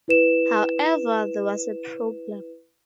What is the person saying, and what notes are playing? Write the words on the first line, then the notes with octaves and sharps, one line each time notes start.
However, there was a problem.
E4 B4 E7